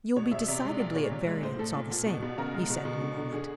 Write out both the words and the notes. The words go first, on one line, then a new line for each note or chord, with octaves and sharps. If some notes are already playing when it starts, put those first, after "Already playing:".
"You'll be decidedly at variance, all the same," he said in a moment.
B2 C#5
B2 E5
C3 D5
G#3
A#2 D5
A#2 C#5
C3
G#3
A2 C5
A2 A4
A#2
A#2
B2
B2
C#3 A#4
G#3
B2
B2
D3
D3
D3 G#4